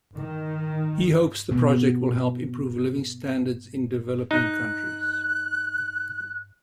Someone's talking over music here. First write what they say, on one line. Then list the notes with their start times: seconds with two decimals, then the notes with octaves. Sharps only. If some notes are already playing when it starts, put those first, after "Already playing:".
He hopes the project will help improve living standards in developing countries.
0.15 D#3
1.51 B2 B3
4.31 D#4 F#6